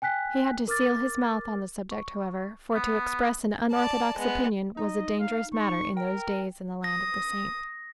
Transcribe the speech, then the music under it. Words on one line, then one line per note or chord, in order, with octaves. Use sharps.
He had to seal his mouth on the subject, however, for to express an unorthodox opinion was a dangerous matter in those days in the Land of the Saints.
G5 G#5 F#6 B6
A#4 D6 F6 A6
C#6
B3
D5 A5
G#3 B3
D#4 D#5
F5
C#6
A#4 G5
D#6 A#6